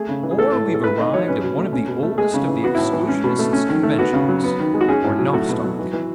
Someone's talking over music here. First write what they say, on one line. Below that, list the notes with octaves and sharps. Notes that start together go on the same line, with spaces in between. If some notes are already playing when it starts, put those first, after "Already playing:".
Or we've arrived at one of the oldest of the exclusionists' conventions--or nostoc.
Already playing: A3 G#4
C#3
E3
G#4
A3 A4
A2
E3
A4
A3 B4
D#3 D#5
F#3 C#5
C#4 B4
B2
A3
C#4
B2
A3
G#3 G#4
C#3
E3
B3 F#4
E4
A2
E3
C#4
B2
A3
C#4
D#3
A3
B3 F#4
C#3
F#3
B3
D#3
G#3
F#4
C#4 G#4
A2
F#3
A3 F#4
B2
F#3
E3
E3